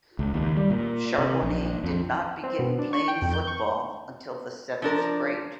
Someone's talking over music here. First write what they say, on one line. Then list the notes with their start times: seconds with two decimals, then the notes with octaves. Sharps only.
Charbonnet did not begin playing football until the seventh grade.
0.19 C#2
0.34 D#2
0.57 G3
0.70 A#2
1.18 C3
1.43 A#1
1.84 F2
2.43 C4
2.59 B2
2.79 D4
2.93 C#6
3.08 G5
3.22 F2
3.33 G6
3.47 C#6
4.82 F3 D4 A#4